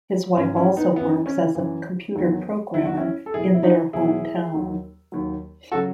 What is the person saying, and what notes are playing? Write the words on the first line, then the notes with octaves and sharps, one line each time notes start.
His wife also works as a computer programmer in their home town.
G#2 E3 C#4
C#4 E4
B3 D#4
F#2 E3 B3
C#4
F#2 E3
E2 D#3 F#3
E2 D#3 F#3 E4
F#4
C#4 E4
A4
E2 B2 F#3 E4 G#4
E4
D#4 F#4
E2 B2 F#3 E4 G#4
D#2 D#3 F#3
D#2 D#3 F#3
C#3 F#3 F#4 A4